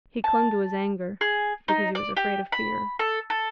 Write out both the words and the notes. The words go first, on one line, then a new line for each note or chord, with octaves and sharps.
He clung to his anger--because he was afraid of fear.
A5
G#4
D#4
D5
G4
B5
A4
A4